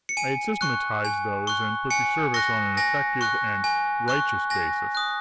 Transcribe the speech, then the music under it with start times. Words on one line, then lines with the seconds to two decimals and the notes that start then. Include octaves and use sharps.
I had systematized those, and put the service on an effective and righteous basis.
0.09 C#7
0.17 G#5 D#7
0.61 C#6 F#6
1.05 G#5
1.47 C#6 F#6
1.91 G#5 C#7
2.34 C#6 F#6 A#6
2.77 G#5 A#6
3.21 C#6 F#6
3.64 G#5
4.08 C#6 F#6
4.50 G#5 A#6
4.95 D#6 F#6